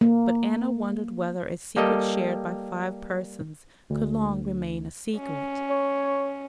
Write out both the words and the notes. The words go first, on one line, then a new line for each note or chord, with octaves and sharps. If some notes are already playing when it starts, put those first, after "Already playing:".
But Anna wondered whether a secret shared by five persons could long remain a secret.
A#3
G3 A#3 G4 A4 D#5
D2
C#4
C#5